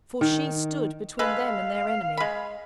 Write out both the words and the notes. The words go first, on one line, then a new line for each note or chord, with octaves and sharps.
For she stood between them and their enemy.
D#3
G#3 A4 B4 F5
G#3 B5